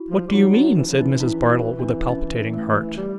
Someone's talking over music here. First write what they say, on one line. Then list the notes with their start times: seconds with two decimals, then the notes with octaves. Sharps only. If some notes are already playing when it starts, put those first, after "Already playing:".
'What do you mean?' said Mrs. Bardell, with a palpitating heart.
Already playing: E4 F#4
0.10 F3
0.28 G3
0.32 F#3 D#4 F4
0.54 C#4 D#4
0.76 E3
0.87 F3
0.97 E3 C#4 D#4
1.20 E3 D4 E4
1.50 E4 F#4
1.79 C4 D4
2.09 C#4
2.53 A3
2.76 A3
2.97 G3